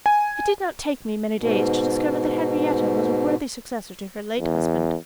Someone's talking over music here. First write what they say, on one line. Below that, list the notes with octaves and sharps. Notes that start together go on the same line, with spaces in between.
It did not take me many days to discover that Henriette was a worthy successor to her late husband.
G#5
G#2 B2
E2